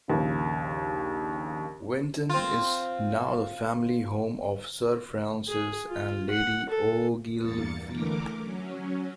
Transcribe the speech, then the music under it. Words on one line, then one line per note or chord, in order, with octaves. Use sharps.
Winton is now the family home of Sir Francis and Lady Ogilvy.
A#1 D#2 C#3
C4 F4
G#4
F4
F#5
A4
E2 G2 A#3 A6 C#7
D3 E3 A3 A#4 D6
F#3 C#4